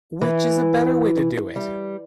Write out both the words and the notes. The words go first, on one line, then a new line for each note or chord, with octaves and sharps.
Which is a better way to do it?
E3
G3